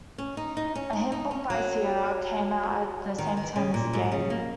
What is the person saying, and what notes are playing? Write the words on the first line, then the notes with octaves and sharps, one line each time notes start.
A hint book by Sierra came out at the same time as the game.
C#4
D#4
D#4
C#4
D#4
D#4
C#4
F#3
D#3
D#3
C#3
A#2
G#2
C#3
A#3